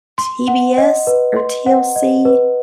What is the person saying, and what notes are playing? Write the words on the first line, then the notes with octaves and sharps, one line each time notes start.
TBS or TLC.
C6
F#5
D#5
B4
C6
F#5
D#5
B4